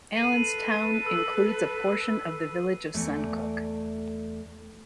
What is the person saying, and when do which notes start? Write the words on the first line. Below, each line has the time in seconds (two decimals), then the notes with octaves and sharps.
Allenstown includes a portion of the village of Suncook.
0.15 A4 B4 C7 D#7 F#7
1.06 E6
2.94 E2 E3 A3 D5